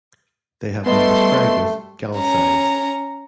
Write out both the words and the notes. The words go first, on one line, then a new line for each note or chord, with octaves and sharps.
They have been described as "Gallicised".
G3 A3 B3 A4 B4 D#5 C6
C#4 A#5